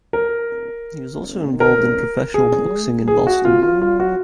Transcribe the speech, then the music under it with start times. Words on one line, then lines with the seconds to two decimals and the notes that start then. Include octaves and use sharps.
He was also involved in professional boxing in Boston.
0.13 A#4
1.60 A#4
2.34 G#4
3.08 G#4
3.27 F#4
3.45 F4
3.63 F4
3.82 F4
4.00 F#4